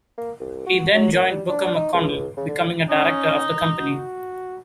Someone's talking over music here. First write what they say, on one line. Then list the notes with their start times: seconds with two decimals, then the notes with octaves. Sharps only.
He then joined Booker McConnell, becoming a Director of the company.
0.18 A#3
0.40 C2
0.67 F#4
0.94 F#3
1.12 F#2
1.31 G3
1.49 D4
1.75 D#4
1.93 C#2
2.37 C#3
2.48 D3
2.89 C#4 D#4
3.78 F#4